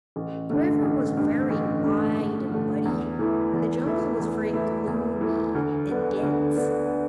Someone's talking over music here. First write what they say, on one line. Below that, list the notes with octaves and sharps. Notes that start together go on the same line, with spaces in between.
The river was very wide and muddy, and the jungle was very gloomy and dense.
A1
G2 D3 A3
A1
G2 D3 A3
A1
G2 D3 A3
A1
G2 D3 A3
E2
E3 A3 E4
E2
E3 A3 E4
E2
E3 A3 E4
E2
E3 A3 E4
D2
D3 B3 D4
D2
D3 B3 D4